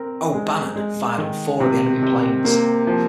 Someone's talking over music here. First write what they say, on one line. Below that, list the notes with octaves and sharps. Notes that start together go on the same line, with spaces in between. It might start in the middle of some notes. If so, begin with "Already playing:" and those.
"O'Bannon" fired on four of the enemy planes.
Already playing: C4 A#4
G#3
G#3
D#3
C3
C3
A#3
F3